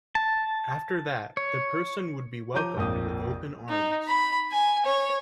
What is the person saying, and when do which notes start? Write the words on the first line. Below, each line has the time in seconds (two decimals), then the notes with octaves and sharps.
After that, the person would be welcomed with open arms.
0.15 A5
1.37 C#5
2.54 F3 C#5 A#5 D6 G6 D#7
2.77 A#1 F2 A#3 D#6
3.69 D#4
4.08 B5
4.52 G#5
4.85 C#5